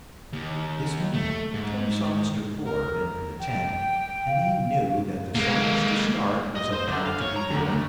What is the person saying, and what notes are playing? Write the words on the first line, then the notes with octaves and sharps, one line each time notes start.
At this moment Toby saw Mr. Lord enter the tent, and he knew that the summons to start was about to be given.
D#2
A3
G#2
A#4
G5
F5
G#3 A#3
D#5
C5
D3
F5
C#5
A#5
D2
A3